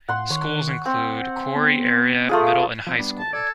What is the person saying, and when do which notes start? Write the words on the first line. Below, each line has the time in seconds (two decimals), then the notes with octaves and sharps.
Schools include Corry Area Middle and High School.
0.08 A2 F#5 C6
0.30 D#3 C#5
0.86 C4 F#5
1.55 B3
2.29 A3 F4 G#4 D#6
2.87 F3 C4
2.98 G3 B3 D4
3.18 A5
3.33 A4 D5 G#6